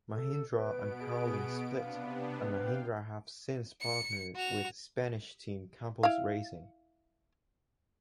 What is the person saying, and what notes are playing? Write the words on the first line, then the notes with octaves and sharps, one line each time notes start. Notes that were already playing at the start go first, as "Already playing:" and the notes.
Mahindra and Carlin split, and Mahindra have since partnered with Spanish team Campos Racing.
A4
B2 B3 B4 D7
G#4
C3 B3 D4 F5
B4 F5 G5
C#7
F#4 F7
E4 F5